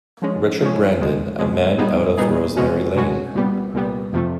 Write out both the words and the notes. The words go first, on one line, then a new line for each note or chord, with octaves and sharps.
Richard Brandon, a man out of Rosemary Lane.
F3 G#3 C#4
F3 G#3 C#4
C#2 B2 G#3
C#2 B2 G#3
A#2 G3 B3 D#4 G#4
A#2 G3 B3 D#4 G#4
C2 B2 G#3 C#4 F#4
C2 B2 G#3 C#4 F#4
C2 A#2 G3 B3
C2 A#2 G3 B3
F2 C3 F3 A3